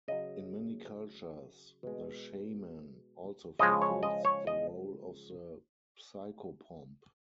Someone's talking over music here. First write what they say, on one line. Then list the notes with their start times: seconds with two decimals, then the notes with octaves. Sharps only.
In many cultures, the shaman also fulfills the role of the psychopomp.
0.08 C#3 F#3 D#5
1.83 B2 G#3
3.59 C#3 F3 G#3 D#5
3.82 C#5
4.03 D#5
4.25 C#5
4.47 D#5